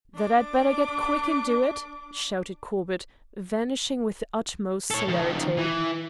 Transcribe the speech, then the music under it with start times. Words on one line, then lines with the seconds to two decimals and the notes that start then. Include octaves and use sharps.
"That I'd better get quick and do it," shouted Corbett, vanishing with the utmost celerity.
0.15 D4 D6
4.91 A4 C#5
5.08 D#3 F3
5.57 E3